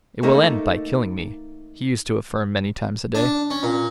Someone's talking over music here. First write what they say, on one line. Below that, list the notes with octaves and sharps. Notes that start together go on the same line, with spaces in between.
"It will end by killing me," he used to affirm many times a day.
A3 A#3 D#4
D4
C#4
A#2